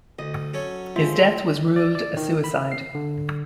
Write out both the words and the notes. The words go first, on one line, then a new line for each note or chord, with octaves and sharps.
His death was ruled a suicide.
D2 D#5
F#3 C#4 A4 C#5
F3 G#3 F4 E5 C6
D5
D5
D#3
B5
C7
D3